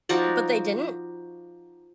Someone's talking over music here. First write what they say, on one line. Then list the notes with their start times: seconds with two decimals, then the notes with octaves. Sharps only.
But they didn't?
0.09 F3 D#4 F#4 D5